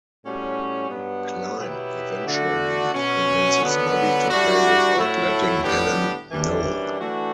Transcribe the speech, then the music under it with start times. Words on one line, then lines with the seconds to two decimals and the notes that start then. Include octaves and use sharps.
Klein eventually convinces Bobby to play without letting Helen know.
0.23 A2 G3 C#4 F#4
0.90 G2 F#3 B3
1.58 B2 F#3 B3 E4 G4
2.25 D3 A3 D4 F#4
2.92 B2 F#3 C#4
3.61 D3 F#3 B3
4.29 A2 G3 D4 F#4
4.95 A2 F#3 A3 E4
5.62 A2 G3 B3 D4 G4
6.31 F#2 E3 G3 D4
6.98 E3 A3 D4 F#4